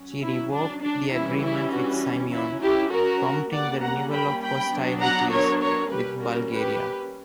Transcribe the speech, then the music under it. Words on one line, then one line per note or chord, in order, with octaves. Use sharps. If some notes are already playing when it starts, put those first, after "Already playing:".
She revoked the agreement with Simeon, prompting the renewal of hostilities with Bulgaria.
Already playing: F#3 C#4
E4
D4
D4
E3 G3 C#4 E4
E4
D4 F#4
F#3 C#4 E4
E4 G4
F#4 A#4
G3 A#3 C#4 D5 F#5
F#5 A#5
G5 B5
G5 B5
F#3 B3 D4
F#5 A#5
A#4 C#5
A#4 C#5
G3 A#3 C#4 G4 B4
F#4 A#4
G4 B4